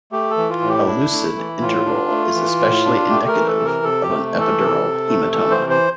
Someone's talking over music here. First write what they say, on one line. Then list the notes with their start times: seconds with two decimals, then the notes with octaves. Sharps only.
A lucid interval is especially indicative of an epidural hematoma.
0.12 A3 G4
0.31 A4
0.37 E3
0.50 F4
0.62 A2
0.68 G4
0.86 D4 E4
1.11 A3
1.36 E3
1.61 A2 F4
1.86 D4
2.10 A3
2.35 E3
2.60 A2
2.85 D4
3.09 A3 G4
3.28 A#4
3.34 E3
3.47 A4
3.59 C3
3.65 A#4
3.84 C3 A4
4.03 G4
4.09 A3
4.34 E3
4.40 A4
4.59 C3
4.83 C3
5.08 A3
5.33 E3 A4
5.51 C5
5.58 C3
5.70 C5